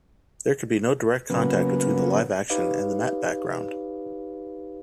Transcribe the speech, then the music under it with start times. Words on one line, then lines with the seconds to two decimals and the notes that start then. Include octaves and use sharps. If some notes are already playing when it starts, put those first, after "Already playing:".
There could be no direct contact between the live action and the matte background.
1.30 C#3 F#3 A#3 B3
2.50 D#4 G4 B4 C#5 D#5 F5